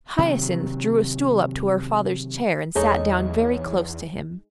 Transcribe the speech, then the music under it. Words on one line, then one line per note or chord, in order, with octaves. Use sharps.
Hyacinth drew a stool up to her father's chair and sat down very close to him.
C3 D#3 F#3
E2 G#3 D#4 G#4 A4 C#5